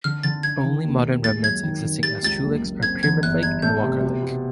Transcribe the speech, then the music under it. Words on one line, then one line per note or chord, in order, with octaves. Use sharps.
The only modern remnants existing as true lakes are Pyramid Lake and Walker Lake.
D3 F6
D3 A6
D4 G#6
D#3
D#2
D#2
G#3 A6
F#2 G#6
D#3
D#3
G3 A6
C#2 A6
F#1
F#1
C4 G#6
E2 G#6
G1 F#6
G1 G#6
A3 G6
C3
B2
B2